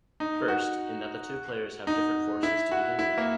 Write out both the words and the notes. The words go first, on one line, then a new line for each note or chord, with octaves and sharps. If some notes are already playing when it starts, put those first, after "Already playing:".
First, in that the two players have different forces to begin with.
D#4
F#4
D#4
E4
F#4
E4
A#3